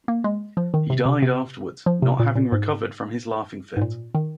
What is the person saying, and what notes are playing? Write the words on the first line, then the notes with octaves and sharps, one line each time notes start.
He died afterwards, not having recovered from his laughing fit.
A#3
G#3
F3
D#3
C3
C3
C3
F3
C3
A#2
A#2
G#2
G#2
A#2
D#3